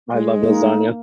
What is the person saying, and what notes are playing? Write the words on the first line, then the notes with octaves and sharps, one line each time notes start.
I love lasagna,
G#3
A#3 D#4